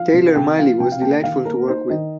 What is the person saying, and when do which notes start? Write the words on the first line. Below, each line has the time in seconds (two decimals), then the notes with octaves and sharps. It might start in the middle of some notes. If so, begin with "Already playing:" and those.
Taylor Mali was delightful to work with.
Already playing: F3 F5
0.14 C3
0.36 C3 G5
0.58 F3 F5
0.80 C3 G5
0.92 F5
1.02 A#3 G5
1.23 D#3 F5
1.45 A#3 A#4
1.68 D#4 C5
1.90 D#3 D#5